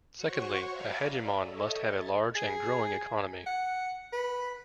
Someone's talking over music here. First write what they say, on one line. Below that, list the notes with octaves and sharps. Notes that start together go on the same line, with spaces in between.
Secondly, a hegemon must have a large and growing economy.
F#4 C5 C#5 F#5 C#6
D5 E5 F5 G#5 A#5 B5
D5
A4 C#5 D#5 E5
G#6 A6
G#4
F#5
B4